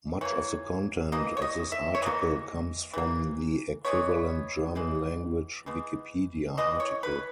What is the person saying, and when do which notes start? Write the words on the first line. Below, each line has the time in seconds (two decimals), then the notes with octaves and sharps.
Much of the content of this article comes from the equivalent German-language Wikipedia article.
0.21 E3 A#3 C#5
1.12 E3 A#3 D#5
1.37 C#5
1.42 D#5
1.72 E5
1.95 C#5
2.02 E3 A#3 D#5
2.94 E3 A#3
3.85 E3 G#3 B3 C#5
4.75 E3 G#3 B3
5.66 E3 G#3 B3
6.57 E3 G#3 B3 D#5
6.80 C#5
7.03 B4